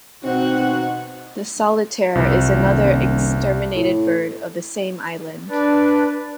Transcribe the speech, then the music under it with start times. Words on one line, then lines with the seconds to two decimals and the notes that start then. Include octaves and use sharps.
The solitaire is another exterminated bird of the same island.
0.24 B2 C4 D#4 F#4 F#5
2.15 C2 F2
2.52 D#1
3.75 A2
5.50 D4 B4 D5